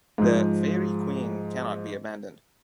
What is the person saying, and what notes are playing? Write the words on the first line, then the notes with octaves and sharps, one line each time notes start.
The "Faerie Queene" cannot be abandoned.
G#2 F3